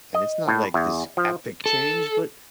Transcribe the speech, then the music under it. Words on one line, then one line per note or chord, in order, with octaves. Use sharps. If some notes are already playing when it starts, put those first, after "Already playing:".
and it's not like this epic change, but
D#5
A2
E2
F3
A4